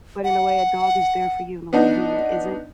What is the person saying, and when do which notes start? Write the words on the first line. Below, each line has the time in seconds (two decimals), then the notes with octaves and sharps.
but in a way a dog is there for you in a way a human isn't,
0.24 F#5
1.73 B3 D4 D#4